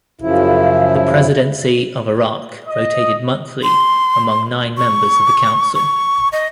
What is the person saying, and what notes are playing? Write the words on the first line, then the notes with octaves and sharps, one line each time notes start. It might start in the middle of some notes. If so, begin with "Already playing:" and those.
The presidency of Iraq rotated monthly among nine members of the council.
F#2 C#3 F3 E4
D#5
C6
C#6
C#6
D#5